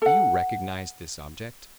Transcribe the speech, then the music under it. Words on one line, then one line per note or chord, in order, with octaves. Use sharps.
"Do you recognize this object?"
A4 F#5